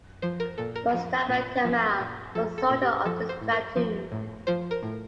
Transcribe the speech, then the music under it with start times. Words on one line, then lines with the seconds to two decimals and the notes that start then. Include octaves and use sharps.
Mostafa Kamal was a soldier of this platoon.
0.22 F3 C5
0.40 A#4
0.58 A#2 A4
0.76 A#4
0.93 F3
1.29 A#2
1.64 F3
1.99 A#2
2.35 F3 A4
2.58 A4
2.70 A#2
2.82 G4
3.05 F3 A4
3.29 C5
3.41 A2
3.53 A#4
3.76 F3
4.12 A2
4.47 F3 C5
4.71 A#4
4.83 A2